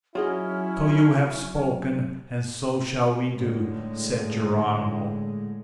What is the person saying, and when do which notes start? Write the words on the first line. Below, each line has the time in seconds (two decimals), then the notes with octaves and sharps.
"So you have spoken and so shall we do," said Geronimo.
0.15 F#3 C#4 E4 F4 G#4 D#5
3.38 A2 D3 G#3